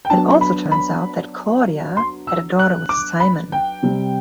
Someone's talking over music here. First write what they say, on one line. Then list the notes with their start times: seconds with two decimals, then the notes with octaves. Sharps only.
It also turns out that Claudia had a daughter with Simon.
0.05 G5
0.10 F#3 B3 D4 A5
0.41 B5
0.72 B5
1.97 C6
2.27 E6
2.59 F#6
2.89 D6
3.20 B5
3.52 G5
3.83 C3 G3 C4